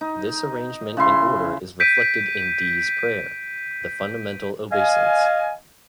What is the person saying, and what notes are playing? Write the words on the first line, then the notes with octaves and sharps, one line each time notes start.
This arrangement and order is reflected in Dee's prayer - The Fundamental Obeisance.
D#4
C#3 E4 C6
G6 B6 D7 D#7
D#5 F5 G#5